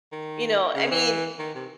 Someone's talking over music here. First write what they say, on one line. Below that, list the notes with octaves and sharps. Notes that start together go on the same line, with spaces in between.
you know I mean,
D#3
C#3
E3
D#3
C3